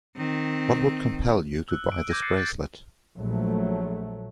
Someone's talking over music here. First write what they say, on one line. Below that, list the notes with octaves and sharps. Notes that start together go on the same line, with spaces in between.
What would compel you to buy this bracelet?
D#3 C4
E6 F#6
D7
D6 G6 G#6 A#6 D#7
E6 A6 C7 C#7
A6
A#1 F#3 A3